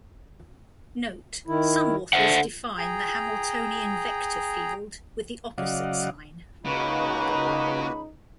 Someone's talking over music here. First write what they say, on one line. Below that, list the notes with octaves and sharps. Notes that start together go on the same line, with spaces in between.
Note: Some authors define the Hamiltonian vector field with the opposite sign.
D#3 E4
D3 C5 E5 F#5
G#4 G5 A#5
C#3 F#3 D5 D#5 F5 F#5
C#2 C#3 A#3 D#4 F#4 B4 B5